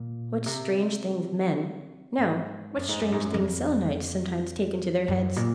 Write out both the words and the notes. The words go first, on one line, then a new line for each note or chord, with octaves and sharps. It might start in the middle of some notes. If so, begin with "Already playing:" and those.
What strange things men--no, what strange things Selenites sometimes take into their heads!
Already playing: A#2
C3
G#2
F#2
G#2
F#2
G#2
F#2
F2
F#2
A#2